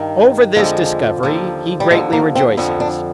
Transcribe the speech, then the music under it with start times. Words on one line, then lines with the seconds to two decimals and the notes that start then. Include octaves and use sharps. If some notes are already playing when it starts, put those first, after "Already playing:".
Over this discovery he greatly rejoices.
Already playing: G2 D#3
0.56 F2 D3 F3 G#3
1.23 D#2 D3 F3
1.80 G3
1.91 D#2 D3 F3 G#3
2.13 A#3
2.35 C4
2.57 F2 D3 F3
2.80 D4